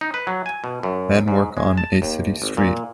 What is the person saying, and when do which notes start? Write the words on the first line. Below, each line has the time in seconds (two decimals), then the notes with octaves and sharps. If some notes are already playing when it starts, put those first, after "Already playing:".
Men work on a city street.
0.01 D#4
0.14 B4
0.27 F#3
0.46 G#5
0.64 B2
0.83 F#2
1.28 G#2
1.57 G#3
1.78 A5
2.02 D#2
2.42 G#1
2.57 A#2